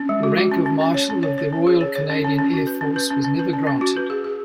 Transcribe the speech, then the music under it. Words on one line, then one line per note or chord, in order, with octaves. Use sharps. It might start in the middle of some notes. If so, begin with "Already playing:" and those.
The rank of marshal of the Royal Canadian Air Force was never granted.
Already playing: C#4
G#3
F#4
F#4
C#4
C#4
C#4
C#5
C#4
C#5
C#5
C#4
G#4
C#5
C#5
C#4
C#4
C#4
F#4
B4
C#4
B4
C#4
C#4
B4
C#4
C#4
F#4
B4
G#4
G#4